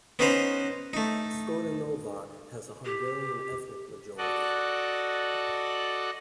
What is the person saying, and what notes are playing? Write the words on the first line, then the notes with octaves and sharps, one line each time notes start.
Skorenovac has a Hungarian ethnic majority.
B3 C#4 D#4 B4 C5 A#5
A3 D#4
G4
F#4 A4 D5 D#5 F#6